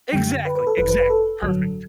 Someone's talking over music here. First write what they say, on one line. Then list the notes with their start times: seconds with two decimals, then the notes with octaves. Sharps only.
Exactly, exactly, perfect.
0.12 F#2 D3 G3 G5
0.45 B4
0.55 B4
0.67 A4
0.77 G1 F#2 F#3 B4
0.88 B4
0.99 B4
1.10 A4
1.42 A1 G2 D3 F#3